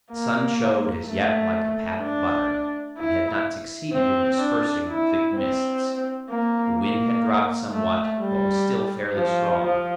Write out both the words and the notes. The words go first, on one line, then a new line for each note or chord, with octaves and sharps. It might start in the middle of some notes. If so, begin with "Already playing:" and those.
The sun showed as yet like a pat of butter, and had not succeeded in dispersing the thick mists; the wind had dropped somewhat, but was still fairly strong.
A#3
A3
D4
E4
C4
D4
E4
C4
A#3
A#3
A3
G3
F3
F3